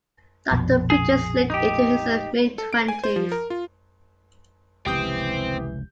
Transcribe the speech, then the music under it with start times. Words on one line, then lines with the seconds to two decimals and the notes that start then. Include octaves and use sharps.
Doctor Peaches lived into his mid-twenties.
0.51 A#1 F2 B2
0.90 G#4
1.50 D#4 G4
2.58 A4
2.73 D7
2.88 G#5
3.04 C5
3.16 F3
3.32 A#4
3.50 F4
4.86 F1 C#2 E3 C4 G4 D#6 G6